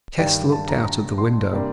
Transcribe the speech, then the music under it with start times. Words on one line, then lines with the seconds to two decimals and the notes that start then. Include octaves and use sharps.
Tess looked out of the window.
0.19 G2 D#3 G3 D4 G5
0.52 A5
0.69 A#5
0.85 A#5
1.18 C6
1.52 C3 G3 A#3 D4